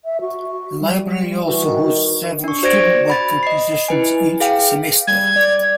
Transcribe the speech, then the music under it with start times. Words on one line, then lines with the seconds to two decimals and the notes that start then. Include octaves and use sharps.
The Library also hosts several student-worker positions each semester.
0.05 E5
0.21 F#4
0.80 G3
1.47 E3 F#4
1.65 D#3
2.44 D4 C#6
2.63 F#4 C5 D5 G#6 A#6 D7
3.10 B5 A6
3.43 D#5 C7
3.88 E4 B4 G#5
4.40 G#4 F5 G5
5.07 G3 G#6
5.36 D5